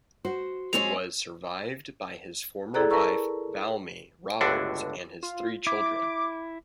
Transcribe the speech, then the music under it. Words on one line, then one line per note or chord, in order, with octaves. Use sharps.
He was survived by his former wife Valmai Roberts and his three children.
F#4 C5
G#3 C4 C#4 F7
E4 G#4 A4 D5 A#5 F#6
A#4 B4 A5 A#5 C#6 E6
G1 C#2 A2 D3 D4 F#4
F4
E4 D6